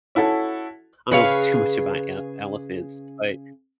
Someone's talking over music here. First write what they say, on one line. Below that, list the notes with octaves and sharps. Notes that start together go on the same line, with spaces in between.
I don't know too much about el elephants, but
C#4 E4 F#4 A4
C#3 G#4 B4 C#5 F5